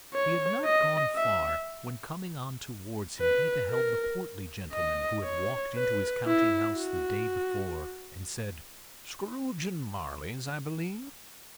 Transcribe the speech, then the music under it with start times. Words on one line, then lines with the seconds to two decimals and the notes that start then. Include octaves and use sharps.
He had not gone far, when coming on towards him he beheld the portly gentleman, who had walked into his counting-house the day before, and said, "Scrooge and Marley's, I believe?"
0.14 C#5
0.65 D#5
1.16 E5
3.20 B4
3.71 A#4
4.73 D#5
5.24 C#5
5.75 B4
6.26 E4
6.77 F#4